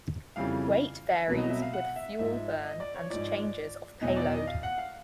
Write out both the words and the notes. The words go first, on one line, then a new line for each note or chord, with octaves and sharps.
Weight varies with fuel burn and changes of payload.
F2 C#3 E3 G3 F5
C2 B2 F#3
D#5
E5
F5
F#5
E5
G#2 F3 E5
D#5
D5
C#5
G#2 F3 D5
E2 B2 F#3 D#5
D5
D#5
F5
F#5
F5